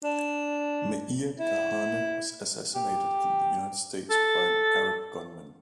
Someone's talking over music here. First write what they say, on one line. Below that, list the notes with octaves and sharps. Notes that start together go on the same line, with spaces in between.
Meir Kahane was assassinated in the United States by an Arab gunman.
D4
E4
G4
A4